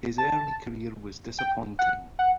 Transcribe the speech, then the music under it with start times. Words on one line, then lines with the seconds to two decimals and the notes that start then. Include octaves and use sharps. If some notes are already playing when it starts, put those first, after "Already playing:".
His early career was disappointing.
0.18 A5
1.39 G5
1.79 F#5
2.19 F#5